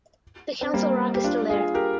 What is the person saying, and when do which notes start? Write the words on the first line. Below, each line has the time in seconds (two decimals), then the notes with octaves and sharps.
The Council Rock is still there.
0.61 C4
0.74 G3 A#3
1.15 G4
1.24 D4 F4
1.50 F4 G#4
1.74 G4 A#4